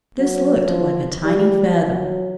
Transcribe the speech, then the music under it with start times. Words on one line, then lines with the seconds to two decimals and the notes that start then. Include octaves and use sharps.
This looked like a tiny feather.
0.19 F#3
0.65 F3
1.24 G3
1.87 F#3